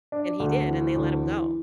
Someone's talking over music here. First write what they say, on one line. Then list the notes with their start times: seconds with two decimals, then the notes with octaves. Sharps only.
and he did, and they let him go.
0.12 D4
0.40 D2
0.68 E3
0.96 D2
1.24 E3